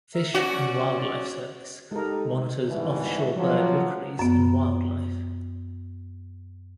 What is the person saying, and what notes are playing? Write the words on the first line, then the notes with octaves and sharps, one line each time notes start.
Fish and Wildlife Service monitors offshore bird rookeries and wildlife.
A#4 E5
C#4 F#4 D5
G#3 D#4 G4 A4 A#4
C2 G#2 B2 E3
F3 F#3
F#2 B3